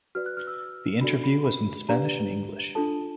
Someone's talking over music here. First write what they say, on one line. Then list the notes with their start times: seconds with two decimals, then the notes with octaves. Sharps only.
The interview was in Spanish and English.
0.15 F#4 B4 D5 F6
0.26 F#6
0.37 F6
0.47 E6
1.01 D4 F#4 A4 D5 B5
1.24 B5
1.45 B5
1.89 D4 G4 B4 D5 A#5
2.75 D4 F4 A4 A5